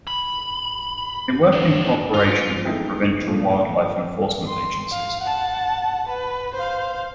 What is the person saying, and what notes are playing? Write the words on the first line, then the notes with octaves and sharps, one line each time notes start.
They work in cooperation with provincial wildlife enforcement agencies.
B5
D#2 D4
F4
G#3 A3 B3 D#4 E4 G5
A#2 D3 F3
C6
F5
F#5 A5
B4
C5 F5